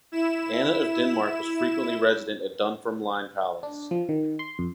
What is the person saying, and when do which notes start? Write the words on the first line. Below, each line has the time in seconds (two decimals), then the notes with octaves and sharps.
Anna of Denmark was frequently resident at Dunfermline Palace.
0.12 E4 E7
3.63 D4
3.91 F3
4.09 D#3
4.39 C6
4.59 F2